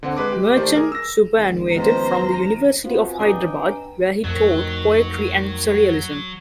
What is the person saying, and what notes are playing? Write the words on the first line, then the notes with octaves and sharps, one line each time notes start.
Merchant superannuated from the University of Hyderabad where he taught Poetry and Surrealism.
D3 C4 F#5
G#3 B4 D6
G4
D#3 A3 G4 C5 D5
G#4 A#4
E6 A#6
G#1
D#3 F3 G#3 B3 C#4 C5 A#5
B3 C4 F4 F#4
D4 B4 D5 D#5 G5 G#5 A#5
F2 A2 D#3 F#3